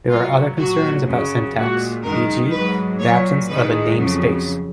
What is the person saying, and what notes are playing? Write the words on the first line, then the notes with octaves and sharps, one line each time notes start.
There are other concerns about syntax, e.g., the absence of a namespace.
G#2 F#3 F4
A#2 F#3 F#4
F#2 C#3 F#3
A#2 G#3 F#4
F#2 D#3 G#3 A#4
G#2 F#3 B4
A#2 F#3 C#5
G#2 D#3 G#3 B4
F2 C#3 F#3